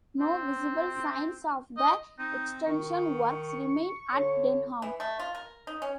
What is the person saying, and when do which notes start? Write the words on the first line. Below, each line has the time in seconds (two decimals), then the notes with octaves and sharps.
No visible signs of the extension works remain at Denham.
0.20 C4
1.77 D#5
2.18 C4 D#4
2.66 D#3 C#6
4.14 D3 C#5
4.82 E3
5.00 A3
5.19 F4
5.35 A#4
5.67 D#4
5.82 C#4